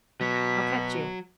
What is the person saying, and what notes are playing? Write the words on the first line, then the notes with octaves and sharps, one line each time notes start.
I'll catch you.
B2 F#3 B6